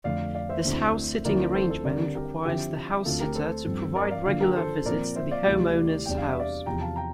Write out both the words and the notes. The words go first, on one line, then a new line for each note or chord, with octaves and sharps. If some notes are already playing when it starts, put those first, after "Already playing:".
This house-sitting arrangement requires the house-sitter to provide regular visits to the homeowner's house.
F2 D3 A3 D5 F5
D5 F5
C5 E5
D2 D3 A3 C4 E4
D2 D3 F3 C4 E4 A#4 D5
A4 C5
A4 C5
D3 G3 C4 A#4 D5
G4 A#4
D3 F3 C4 E4 G4
D2 D3 A3 C4 F4 A4
G4 A#4
A4 C5
G2 F3 C4
A#4 D5
D5 F5
D3 F3 A#3 D4 F4 D5 F5
G4 A#4
A4 C5
A#2 F3 C4 A#4 D5
C5 E5
D5 F5
D2 C3 E3 G3
E2 C3 G3 D4 G5
F5
E5
D5 F5
E2 C3 F3 G5 A#5
F5 A5
G5 A#5